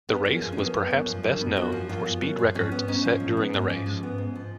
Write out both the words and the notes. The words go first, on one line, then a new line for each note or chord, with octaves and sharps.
The race was perhaps best known for speed records set during the race.
B3
F#2 G#4
F3
C#4
F#2 B3
B3
F#2
F3
F#2 D4
B3
F#2 F#4
F3
F#2 F4
B3
F#2
F3
G#2 C#4
B3
G#2 C#4
F3
G#2
B3
G#2
F3
G#2
B3
G#2
F3